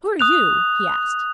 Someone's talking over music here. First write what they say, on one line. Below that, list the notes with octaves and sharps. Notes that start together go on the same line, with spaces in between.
"Who are you?" he asked.
D#6 F#6 F7